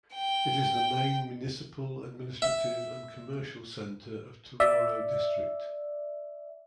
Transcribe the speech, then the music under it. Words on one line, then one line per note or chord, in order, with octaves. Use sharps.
It is the main municipal, administrative, and commercial center of Tororo District.
G5
E5
D5 E5